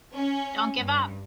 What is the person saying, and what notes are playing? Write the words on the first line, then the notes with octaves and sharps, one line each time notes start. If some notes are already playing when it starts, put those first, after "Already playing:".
Don't give up!.
C#4
G2